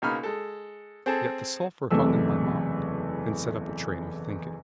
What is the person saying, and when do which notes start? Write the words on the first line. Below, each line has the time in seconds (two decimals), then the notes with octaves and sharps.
Yet the sulphur hung in my mind, and set up a train of thinking.
0.02 B1 C#3 A#3 D#4 B5 F6
0.23 G#3 A4
1.06 C4 G#4 A4 A5
1.91 F#1 E2 C3 A3 E6